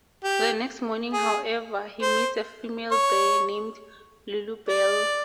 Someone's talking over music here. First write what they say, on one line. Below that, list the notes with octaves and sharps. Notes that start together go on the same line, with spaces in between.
The next morning however, he meets a female bear named Lulubelle.
G4
G#4
C5
C#5
D5